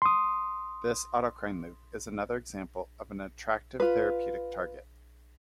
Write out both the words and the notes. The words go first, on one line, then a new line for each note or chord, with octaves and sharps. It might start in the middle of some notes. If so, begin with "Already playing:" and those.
This autocrine loop is another example of an attractive therapeutic target.
C6 D#6
F4 B4